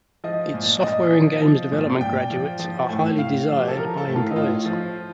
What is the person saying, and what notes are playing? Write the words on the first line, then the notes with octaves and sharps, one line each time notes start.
Its software and games development graduates are highly desired by employers.
F3 D#5
A#2
A#2 D#5
F3
F3
A#2
A#2 G5
F3
F3
A2
A2 F5
F3
G4
A4
F3 A#4
A4
A2
F4
D#4
A2 F4
F3